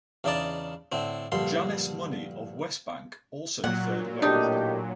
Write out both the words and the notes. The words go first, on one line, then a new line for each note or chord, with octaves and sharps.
Janice Money of Westbank also fared well.
E2 C#3 D4 D#4 D5 A5
A2 D3 C4
A#1 G2 D3 C6
A#2 F#3 F#5
A2 A#3 D4 D#4 G4